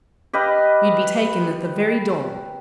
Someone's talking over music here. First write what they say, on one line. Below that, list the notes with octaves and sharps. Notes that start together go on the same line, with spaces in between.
You'd be taken at the very door.
G4 B4 D#5 F5